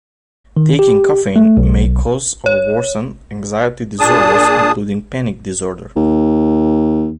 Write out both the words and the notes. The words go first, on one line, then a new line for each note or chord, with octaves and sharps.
Taking caffeine may cause or worsen anxiety disorders, including panic disorder.
D#3
G4
A3
B1
C#5
A#2 D4 G#4 A5 D#6
D#2